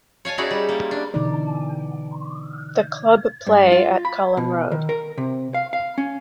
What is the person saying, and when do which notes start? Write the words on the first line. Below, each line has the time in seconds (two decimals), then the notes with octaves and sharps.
The club play at Culham Road.
0.25 C#5 F5 G#5 A5
0.38 C#4 D#4 E4 F#4 G#4 D5
0.51 G3
0.69 A#3
0.91 D4
1.14 B2 D3 E3 D#4 D5
3.47 G2
3.72 F4
4.05 B5
4.37 B2
4.72 D#3
4.89 A#4
5.18 C3
5.54 F5
5.73 F5
5.98 C#4